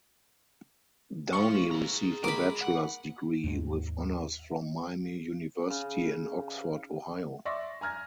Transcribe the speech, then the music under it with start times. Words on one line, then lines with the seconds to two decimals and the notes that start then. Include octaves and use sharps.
Downey received a bachelor's degree with honors from Miami University in Oxford, Ohio.
1.33 C5 F5 C#6
1.71 G#4 A#5
2.24 G#3 A#4 B5 D6 D#6
2.61 F#5
3.44 D#2 G#2 G#3
5.70 C#3
7.45 D5 E5 C6 C#6 A#6
7.81 G#5 A#5 F6 G#6 A#6